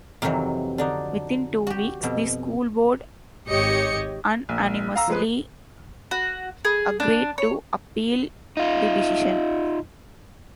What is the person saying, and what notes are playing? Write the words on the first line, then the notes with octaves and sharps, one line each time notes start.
Within two weeks, the school board unanimously agreed to appeal the decision.
F2 C3 D#3 E3 F#3
D3 D4 D#4
F#4 G4
F2 B2
G#1 G#2 G4 C#5 D#5 C#7
A#1
F5 A#5 E6
F3 G#3 B4
F#4
G#4
D4
C#5
D#4 F4